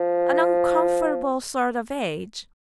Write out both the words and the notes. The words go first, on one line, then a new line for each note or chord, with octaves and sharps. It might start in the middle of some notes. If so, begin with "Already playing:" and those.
'An uncomfortable sort of age.
Already playing: F3